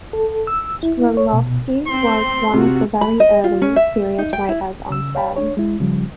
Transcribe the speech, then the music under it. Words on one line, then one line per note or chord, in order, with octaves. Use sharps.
Shklovsky was one of the very early serious writers on film.
A4
E6
E4
C#5
B2
C4 C6
C3 F4 F#4
B5
D#5
F4
C#4
E5
D#4
G5
E4
C#3 E6
C#5 F5 G5 A5 B5
D4 C#5
G#3 E4
C#3 F3 G3